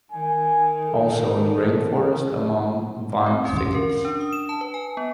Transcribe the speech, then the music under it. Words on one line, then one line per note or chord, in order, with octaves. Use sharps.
Also in rainforest amongst vine thickets.
D#3 G#5
A4
C4
C#4
C6
A#4
A#4
D4
D#6
E7
A5
B4
G#5
B3